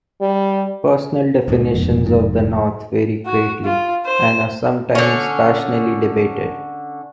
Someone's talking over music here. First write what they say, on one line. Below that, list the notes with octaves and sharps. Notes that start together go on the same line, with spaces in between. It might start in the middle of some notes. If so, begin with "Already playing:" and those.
Personal definitions of the North vary greatly and are sometimes passionately debated.
G3
D2 G#2 B2
F1
G#2
F#4
F4
C5
D3 C#4